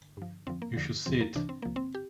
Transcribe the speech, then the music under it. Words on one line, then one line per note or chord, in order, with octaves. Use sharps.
You should see it.
G2 F3
F2 D3 F3 C4
A#3
E2 D3 F3
E2 C3 F3 C4
A#3
C2 C3 E3 D4
C4
C2 C3 F3 A#3
C4
G4